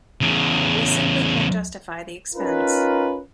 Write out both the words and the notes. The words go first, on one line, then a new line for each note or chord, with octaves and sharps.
We simply can't justify the expense.
E2 C#3
C#4 D#4 F4 A#4 B4